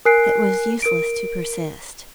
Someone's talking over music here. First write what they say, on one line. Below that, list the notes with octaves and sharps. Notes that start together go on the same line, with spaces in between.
It was useless to persist.
A#4 G#5 F#6 C7 D7
A#4 D7